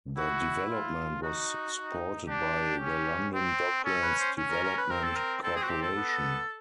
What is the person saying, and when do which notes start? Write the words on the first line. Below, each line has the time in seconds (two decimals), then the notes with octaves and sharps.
The development was supported by the London Docklands Development Corporation.
0.17 E4 F#4
0.70 F4
1.22 D#4 F#4
1.76 D#4
2.28 D4 G4
2.81 C#4
3.33 C4
3.85 C#4 A4
4.02 B4
4.20 C5
4.37 C#4
4.51 A#4
4.64 A#4
4.78 B4
4.90 C4 A#4
5.04 A4
5.16 A#4
5.42 C4 A4
5.56 G#4
5.63 F#4
5.69 G4
5.82 A4
5.95 B3